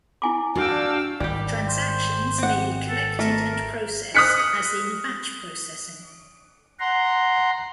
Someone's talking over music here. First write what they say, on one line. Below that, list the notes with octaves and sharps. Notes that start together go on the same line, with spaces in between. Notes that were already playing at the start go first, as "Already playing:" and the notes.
Transactions may be collected and processed as in batch processing.
E4 G#5 D6
D4 F#4 F5 G5 E6
G#1 G3 G4
C5
C4 F#5
A4
A3 A#4
D#6 F6 F#6 B6 C#7
F#5 A#5 C6